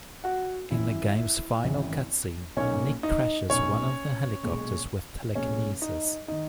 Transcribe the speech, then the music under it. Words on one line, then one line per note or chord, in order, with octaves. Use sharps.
In the game's final cutscene, Nick crashes one of the helicopters with telekinesis.
F#4 F#5
G#1 F#2 E3 E4 E5
G#1 F#2 E3
B1 A#2 A#3 C#4 D#4 C#5
D#4 D#5
B1 A#2 A#3 C#4 D#4 C#5
B1 A#2 G#3
B1 A#2 G#3 C#4 C#5
D#4 D#5
D#3 D#4 D#5